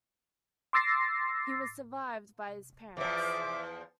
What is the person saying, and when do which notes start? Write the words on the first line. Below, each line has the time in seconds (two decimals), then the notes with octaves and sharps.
He was survived by his parents.
0.73 C6 D6 E6 A6 A#6 C7
2.97 E2 F3 E5 D6